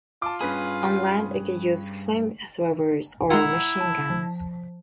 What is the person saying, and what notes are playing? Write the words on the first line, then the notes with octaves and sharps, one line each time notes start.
On land it could use flamethrowers or machine guns.
F4 A5 D6
G2 C#4 G#4 B4 B5
G#3 E4 F4 F#5 A#5 E6
A5
F3